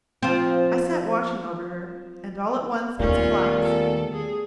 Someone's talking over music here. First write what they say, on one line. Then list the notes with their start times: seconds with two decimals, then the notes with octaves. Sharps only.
I sat watching over her ... and all at once it's collapsed!
0.23 F3 C4
3.00 D#2 A#2 D#3 G3 A3 B3 C#4 F4
3.63 A4
4.13 G#4